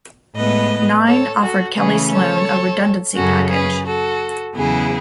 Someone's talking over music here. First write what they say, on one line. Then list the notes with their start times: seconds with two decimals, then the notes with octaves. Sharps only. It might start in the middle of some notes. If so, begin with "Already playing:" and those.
Nine offered Kellie Sloane a redundancy package.
0.36 A2 G#3 B3 B4 D#5
1.06 A4 C#5
1.41 F#4 A4
1.76 C#3 E3 A3 C#4 G#4 B4
2.11 A4 C#5
3.16 F#2 C#3 F#3 C#4 F#4 A4
3.51 G#4 B4
3.86 F#4 A4
4.56 E2 C#3 F#3 B3 E4 G#4